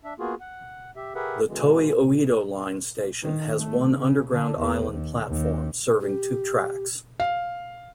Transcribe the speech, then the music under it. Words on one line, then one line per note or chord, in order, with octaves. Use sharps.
The Toei Oedo Line station has one underground island platform serving two tracks.
D4 E5
A#3 B3 F4 F#4 G#4
F#5
G4 E5
G4 G#4 A#4 B4 E5 F#5
B2 D3 E3 G#3
D#3
A3
C#3
D3
E2
D#2
D#2
G4
F5